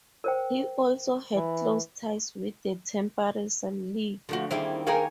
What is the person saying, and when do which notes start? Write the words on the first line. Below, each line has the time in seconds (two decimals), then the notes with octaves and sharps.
He also had close ties with the Temperance League.
0.24 A#4 C5 G5
1.36 E3
4.29 D3 F3 A3 F#4
4.51 D#3 G3 A#3 C4 E4 G#4
4.87 D#4 G#4 A#4 C#5 F5 G5 G#5 A#5